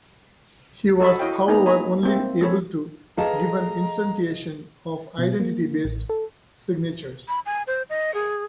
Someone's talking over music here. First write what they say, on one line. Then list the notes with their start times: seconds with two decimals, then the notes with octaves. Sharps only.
He was however only able to give an instantiation of identity-based signatures.
1.00 F#4 A4 C#5 D#5 A5 B5
1.19 E4 F#4 D#5 F5 G5
1.48 A#3 B3 D#4 B4 G#5 A#5
1.66 D#5 G#5 A#5 B5
2.03 A#3 C4 E5
2.41 G#3 A4 C#5 B5
3.17 G#4 A4 D#5 F5 A5 A#5
5.18 B2
5.40 A#3
5.85 A1
6.09 A4
7.28 B5
7.46 G#5
7.67 C5
7.90 D#5
8.14 G#4